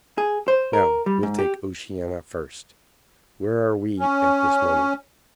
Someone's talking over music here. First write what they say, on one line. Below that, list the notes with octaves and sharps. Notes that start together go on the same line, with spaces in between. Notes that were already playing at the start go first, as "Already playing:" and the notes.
Now we'll take Oceanica first; where are we at this moment?
G#4
C5
A#4
G3
G#2
G4
C#4